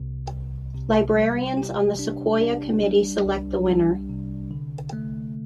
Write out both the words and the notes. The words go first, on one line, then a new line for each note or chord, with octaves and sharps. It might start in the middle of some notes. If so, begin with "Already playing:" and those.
Librarians on the Sequoyah Committee select the winner.
Already playing: C2 C3
C2
C3
G3
G4
D4
D4
G3
C2
G3
C3
D3
A3